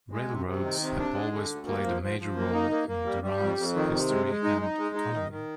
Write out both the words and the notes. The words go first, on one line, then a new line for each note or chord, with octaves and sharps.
Railroads have always played a major role in Durand's history and economy.
G#3
C3
C3
D#3
C3
D4
G#3
D3
D2
A#3
F3
F3
F3
A#3
D#4
A#3
A#3
G3
G3
F2
F2
D#3
C3
G#3
G#3
D#4
D#4
G#3
D#4
D#3
D#3